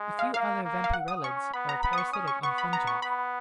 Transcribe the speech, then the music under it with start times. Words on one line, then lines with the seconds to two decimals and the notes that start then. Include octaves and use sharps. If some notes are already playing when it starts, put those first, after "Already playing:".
A few other vampyrellids are parasitic on fungi.
Already playing: G#3
0.19 F5
0.34 A#3 F5
0.63 A#3
0.84 F5
0.93 F#5
1.08 D#6
1.24 C#4 C#6
1.54 B3 B5
1.69 A#5
1.83 B3 B5
1.93 D#6
1.98 C#6
2.13 C#4 D#6
2.28 C#6
2.43 B3 C#6
2.58 B5
2.73 A#5
2.87 C#6
3.02 B3 B5